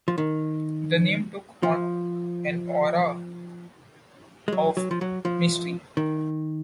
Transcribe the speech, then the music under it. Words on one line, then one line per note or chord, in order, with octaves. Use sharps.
The name took on an aura of mystery.
F3
D#3
F3
G#3
F#3
F#3
F3
F#3
F3
D#3